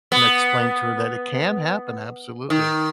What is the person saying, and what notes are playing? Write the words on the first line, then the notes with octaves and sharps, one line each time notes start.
and I explained to her that it can happen, absolutely,
B3
D#3